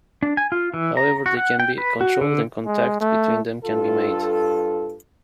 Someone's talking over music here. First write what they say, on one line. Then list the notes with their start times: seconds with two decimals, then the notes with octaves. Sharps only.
However, they can be controlled, and contact between them can be made.
0.23 D4
0.37 G#5
0.52 F4
0.74 E3
0.97 A#5
1.26 F#4
1.37 F#5
1.60 G5
1.78 B4
2.01 F#4
2.21 D3
2.67 G#3
3.01 A3
3.65 G2 F4 A4